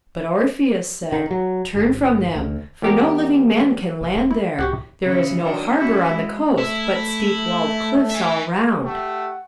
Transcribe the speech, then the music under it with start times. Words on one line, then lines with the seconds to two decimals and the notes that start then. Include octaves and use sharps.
But Orpheus said: "Turn from them, for no living man can land there: there is no harbour on the coast, but steep-walled cliffs all round."
1.12 D#3
1.31 F#3
1.75 G1
2.35 D2
2.82 E2 G4 A#4
4.01 F#1
4.15 E1
4.31 E4
4.59 C#2 F#4 G4 F#5
5.03 C#3 E3
5.42 D#3 F#3 D4
5.76 C#4 E4 F#4
6.11 G#3
6.58 A3 E4
8.10 E5 G#5
8.85 A3 G4 F#5